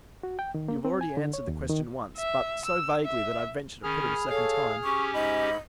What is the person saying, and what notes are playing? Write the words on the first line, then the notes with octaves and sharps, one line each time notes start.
"You have already answered the question once, but so vaguely that I venture to put it a second time."
F#4
G5
D#3
A#3
C4
G#5
D3
C#5
D#2
D#3
E5
E6
E5
D#3 C#4 G#4 B5 F6
A4 C#5 F5
C#4 G4 G#5 C#6
G#2 D#5 B5